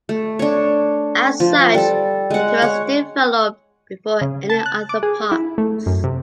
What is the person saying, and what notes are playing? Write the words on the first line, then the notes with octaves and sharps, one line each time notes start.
As such, it was developed before any other parks.
A3
D4 C#5
F3
G3 A4
G#3 F#5
C#5 F#5
C#3
A5
F#6
D6
G#4
E4
A3
F#2
C3